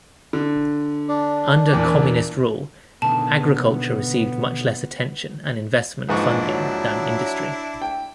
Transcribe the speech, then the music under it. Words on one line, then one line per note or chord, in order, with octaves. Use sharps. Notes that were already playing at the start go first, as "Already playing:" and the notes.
Under communist rule, agriculture received much less attention and investment funding than industry.
D3
D4
E2 A#2
B2 D3 D#3 B3 A5
A#1 G#2 E3 D4 E4 C#6
F#3
G5